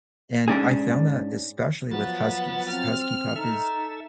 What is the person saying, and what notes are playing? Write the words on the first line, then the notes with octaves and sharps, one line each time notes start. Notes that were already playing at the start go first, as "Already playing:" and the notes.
And I found that especially with huskies, husky puppies,
G#2 C#4 D4 G#4
F3 F#3 B3 A6
C4 F6
D#4 A4 E5